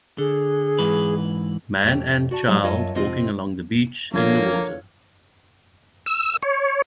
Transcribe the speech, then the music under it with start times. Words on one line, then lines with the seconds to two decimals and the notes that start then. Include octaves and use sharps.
Man and child walking along the beach in the water.
0.18 D3 G#4
0.79 G#2 E3 B4
1.83 F2 A2 G4
2.31 F#4 D5 A5
2.47 A2 F#3 G3
2.62 F#2 F4 C#5 D#5 A5
2.95 F2 C3 C4 F4 D#5
4.14 D3 F3 A#3 F4 C#5 G#6
6.06 E6
6.43 C#5